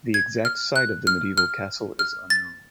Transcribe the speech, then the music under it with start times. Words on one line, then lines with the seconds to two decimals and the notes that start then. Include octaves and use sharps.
The exact site of the medieval castle is unknown.
0.14 G#6
0.45 F6
0.76 F#6
1.07 F6
1.38 F6
1.99 F6
2.30 A6